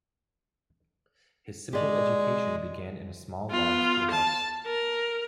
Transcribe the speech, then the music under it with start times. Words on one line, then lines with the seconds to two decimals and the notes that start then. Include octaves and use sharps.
His simple education began in a small log schoolhouse.
1.73 G#3 G4 D5 D#5
3.51 B3 F4
4.11 A5
4.66 A#4